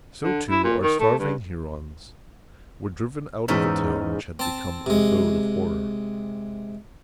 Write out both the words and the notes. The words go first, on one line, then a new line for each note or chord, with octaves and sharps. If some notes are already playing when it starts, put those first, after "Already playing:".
So, too, our starving Hurons were driven out of a town which had become an abode of horror.
D3
E4
A#2
D#3
A3
G2
E2 G#2 C#4 D#4 E5
C4 A5
C3 G#3